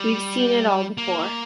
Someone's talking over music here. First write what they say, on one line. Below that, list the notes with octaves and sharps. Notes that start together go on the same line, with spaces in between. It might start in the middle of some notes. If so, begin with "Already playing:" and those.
We've seen it all before.
Already playing: G3
A#3